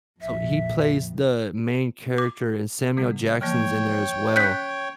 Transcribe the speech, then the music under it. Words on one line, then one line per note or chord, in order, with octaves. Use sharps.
So he plays the main character and Samuel Jackson's in there as well.
A#1 F2 E5
D6
C#3 G3 B3
E3 F3 A#3 C#5 G5
C#4 F#6 G6 B6